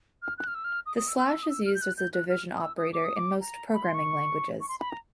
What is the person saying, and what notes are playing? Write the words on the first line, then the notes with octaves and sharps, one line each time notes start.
The slash is used as a division operator in most programming languages.
F6
F#6
F6
E6
F6
D#6
D#6
E6
E6
D#6
E6
F6
G6
F#6
G6
F#6
F6
D#6
E6
D#6
D6
D#6
D6
A#5
B5
C6
C#6
C#6
C6
B5
A#5